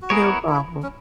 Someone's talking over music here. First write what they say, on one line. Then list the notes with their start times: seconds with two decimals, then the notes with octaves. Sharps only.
No problem.
0.02 F#4
0.10 B3 E4 G#4 A#4 C#5
0.49 E4
0.83 C#4